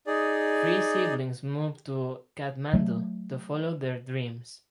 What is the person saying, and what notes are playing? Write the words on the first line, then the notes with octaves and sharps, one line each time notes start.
Three siblings move to Kathmandu to follow their dreams.
D#4 G#4 D5
F#3 A3